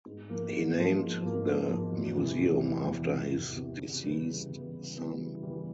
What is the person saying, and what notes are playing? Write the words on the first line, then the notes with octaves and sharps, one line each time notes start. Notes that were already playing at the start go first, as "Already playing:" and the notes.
He named the museum after his deceased son.
G#2
F3 A#3
G#2
F3 A#3
G#2
F3 A#3
G#2
F3 A#3
E2
C3 E3
E2
C3 E3
E2
C3 E3
E2
C3 E3
C#3
E3 G3 B3
C#3
E3 G3 B3
C#3
E3 G3 B3
C#3
E3 G3 B3